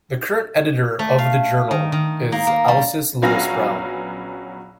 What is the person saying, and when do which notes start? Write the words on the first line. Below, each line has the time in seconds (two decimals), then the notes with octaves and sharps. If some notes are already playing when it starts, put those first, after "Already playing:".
The current editor of the journal is Alscess Lewis-Brown.
0.99 A3
1.18 F5
1.71 D#3
1.92 D#3
2.32 A#3
2.47 A#3
2.68 G3
3.22 A#1 F#3 B3 C#4 F5 A#6